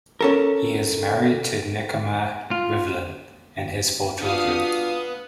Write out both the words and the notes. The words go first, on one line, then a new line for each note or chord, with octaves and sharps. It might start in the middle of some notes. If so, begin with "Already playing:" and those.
He is married to Nechama Rivlin, and has four children.
C#4 A4 A#4
F4
B3 D4 F4 F#4 F5 D#6